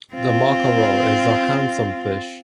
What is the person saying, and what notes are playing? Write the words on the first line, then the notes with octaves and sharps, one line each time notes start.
The mackerel is a handsome fish.
C4 F4